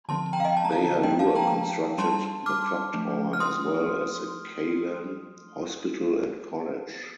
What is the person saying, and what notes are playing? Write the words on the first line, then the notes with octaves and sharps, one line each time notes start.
Bahadur constructed the clock tower as well as the Kalyan Hospital and College.
D3 F3 C4 A5 C6
G5 A#5
F5
D#5 G5
A5
A#5
F5 A5
F3 A#3 D4 D#5 G5
F5 A5
G5 A#5
G3 D4 A5 C6
D6 F6
F3 A3 D4
F6
C6 D#6